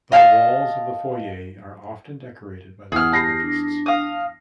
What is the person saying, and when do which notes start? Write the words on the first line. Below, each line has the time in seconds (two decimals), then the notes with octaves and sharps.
The walls of the Foyer are often decorated by local artists.
0.12 D#5 F5 G5 A5
2.92 E2 G#4 F#5 F6
3.12 G4 A5 A#6 C7
3.41 D4
3.86 F5 D#6